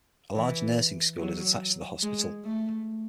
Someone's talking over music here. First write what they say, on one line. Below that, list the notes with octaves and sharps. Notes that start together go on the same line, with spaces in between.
A large nursing school is attached to the hospital.
E3
F#3
G#3
A3